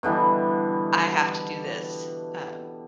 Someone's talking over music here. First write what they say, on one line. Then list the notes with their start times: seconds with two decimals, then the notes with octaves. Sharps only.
I have to do this. Um,
0.03 B2 D3 E3 G3